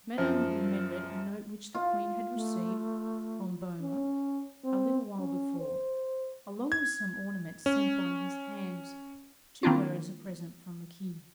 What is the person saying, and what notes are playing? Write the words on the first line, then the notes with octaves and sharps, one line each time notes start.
Madame remembered a note which the Queen had received from Boehmer a little while before, along with some ornaments sent by his hands to her as a present from the King.
F#2 F3
F4
A3
C#4
C4
C#4
C5
G#6
C#4
D#3 A#3 C4 D4 E4 F4